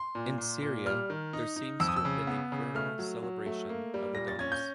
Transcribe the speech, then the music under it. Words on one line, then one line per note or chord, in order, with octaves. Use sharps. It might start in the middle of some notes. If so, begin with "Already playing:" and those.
In Syria, there seems to have been a vernal celebration of Adonis.
Already playing: C6
A#2
A#2
A#2
G3 F6
D#3
D#4
D#4
F2 E6
D#6
E6
C#3
B3
C#3
A3 F6
F#3
F#3
A3
A#3
G3
A#2 A#6
A6
C#4 G#6
G6